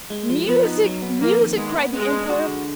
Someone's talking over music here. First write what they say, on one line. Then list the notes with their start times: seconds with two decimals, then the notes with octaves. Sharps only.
"Music! music!" cried the Emperor.
0.10 G#3
0.30 F3
0.47 F3 B3
0.65 D#4
0.84 F#3
1.02 B3
1.20 F2 A#3
1.39 D#3
1.57 G#3 B3
1.76 B3
1.93 G#3 B3
2.11 D4
2.29 F#4
2.48 D3